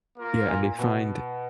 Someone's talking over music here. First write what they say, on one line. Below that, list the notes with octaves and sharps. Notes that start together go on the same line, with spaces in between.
Yeah, and they find
A#3 F4 A#4 F5
A#2
A#2
B2